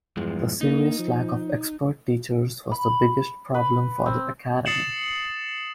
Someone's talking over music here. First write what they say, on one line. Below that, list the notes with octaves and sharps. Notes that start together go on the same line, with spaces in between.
The serious lack of expert teachers was the biggest problem for the Academy.
E2 G2 F3 G#3
A#3 D#4
F3
B5
B4
C4
D#6 A6 C7 C#7 E7 F#7